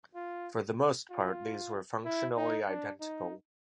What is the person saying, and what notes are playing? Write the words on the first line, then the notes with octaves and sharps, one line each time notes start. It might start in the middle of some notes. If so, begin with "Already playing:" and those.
For the most part these were functionally identical.
F4
F4
E4
D#4
D4
D#4